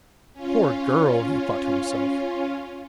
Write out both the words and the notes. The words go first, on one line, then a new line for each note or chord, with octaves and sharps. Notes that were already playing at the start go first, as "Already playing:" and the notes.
'Poor girl,' he thought to himself.
C#4 F4